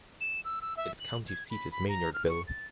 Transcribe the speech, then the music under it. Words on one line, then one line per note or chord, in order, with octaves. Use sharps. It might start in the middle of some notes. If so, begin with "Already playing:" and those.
Its county seat is Maynardville.
E7
E6
E6
E5
F#7
G#6
B5
B5
A#5
F6
C#6
A6